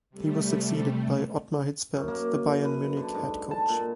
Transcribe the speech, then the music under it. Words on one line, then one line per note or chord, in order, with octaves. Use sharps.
He was succeeded by Ottmar Hitzfeld the Bayern Munich head coach.
C3 G3 A3
F#2
A#3
B4
D3
G#2
A5
A#2